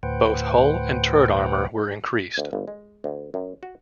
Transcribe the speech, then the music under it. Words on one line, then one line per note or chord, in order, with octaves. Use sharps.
Both hull and turret armor were increased.
D2 A2 B4 C5 F#5 G5
D2
G1
G#3
D2
F#2
F#4